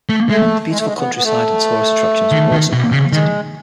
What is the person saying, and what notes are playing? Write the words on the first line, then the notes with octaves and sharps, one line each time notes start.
The beautiful countryside and tourist attractions were also highlighted.
A3
G#3 A3
G#3
A3
G#3
B3
B3
A3
D#3
D#3
B2
C#3
D#3 G#3